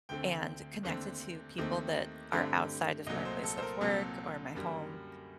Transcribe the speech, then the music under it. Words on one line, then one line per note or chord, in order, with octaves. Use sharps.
and connected to people that are outside of my place of work or my home,
D2 D3 A3 C4 G5
D#2 D3 A3 C4
D#2 D#3 A3 C4
G2 D3 A3 C4
C2 A#2 F#3 A3 D#5
C5
A4
C5
A#4
C2 A#2 F#3 C4 A4
F#2 D3 G3 A#3